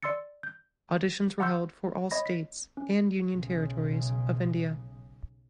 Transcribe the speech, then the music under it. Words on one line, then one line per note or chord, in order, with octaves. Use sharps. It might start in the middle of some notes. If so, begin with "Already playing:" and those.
Auditions were held for all states and union territories of India.
D5 C6 E6 A6 C#7
G6
F#5 A#5 C6 C#6 E6 G6
C#5 D#5 B5 A#6
B6
C#4
B1 C#3